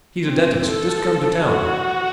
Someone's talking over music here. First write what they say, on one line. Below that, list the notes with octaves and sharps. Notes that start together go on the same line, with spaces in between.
He's a dentist, just come to town.
C4
A4
F#4